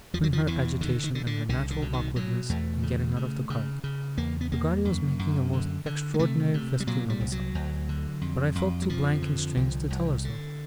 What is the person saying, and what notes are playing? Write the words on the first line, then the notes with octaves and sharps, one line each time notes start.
Between her agitation, and her natural awkwardness in getting out of the cart, Peggotty was making a most extraordinary festoon of herself, but I felt too blank and strange to tell her so.
E2 F3
F#3
F3
E2 E3
D3 D#3
D#3
D3
D3
C2 D3
D3
B2
D#3
B2 F#3
E2 A3
C#3
C#3
C#3
C#3
E2 A#3
B3
E2 A#3
F#2
F#2
D3
D3
G#3
C3 A3
C3
G3
A#2 F#3
G3
C2
F#3
D2
D3
F2
F2
F#3
F2 F3
D3
C2
C2
D3